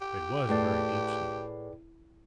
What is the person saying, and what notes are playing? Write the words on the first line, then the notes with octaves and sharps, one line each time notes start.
It was a very deep snow.
G4
A2 G#4 B4 D5